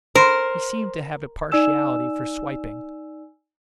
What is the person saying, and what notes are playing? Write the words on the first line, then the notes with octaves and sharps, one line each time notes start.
He seemed to have a partiality for swiping.
A#4 C5
D#4 D5 G#5 E6 E7